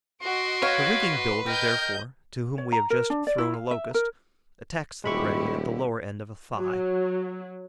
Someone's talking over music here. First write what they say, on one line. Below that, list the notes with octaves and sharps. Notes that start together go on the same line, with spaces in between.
The rigging-builder, therefore, to whom we have just thrown a Locust attacks the prey at the lower end of a thigh.
F#4 D#5 C6 D7
B4 C#5 F5
A#4 D#5 G5 G6
C#5
A#5
A#4
D4
D5
E4
F5
E5
A#4
D#1 G#3 E4 F#4 G4 B5 C#6
F#3